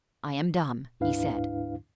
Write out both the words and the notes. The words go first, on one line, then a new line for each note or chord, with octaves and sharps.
"I am dumb," he said.
D2 G#2 D4 E4 B4 F5